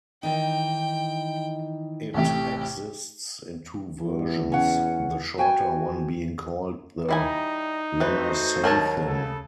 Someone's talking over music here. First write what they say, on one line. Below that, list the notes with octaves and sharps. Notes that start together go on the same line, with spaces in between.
It exists in two versions, the shorter one being called the "Lammasathen".
D#3 E3 D#4 G5
A1 A2 C3 G4
E2
C#4 F#5
F#4 G5 G#5
G3 D#4 E4 G#5
E3 A3 F#4 B4 C5
D#2 F#3 A#4 C#5 A5
C#3 A4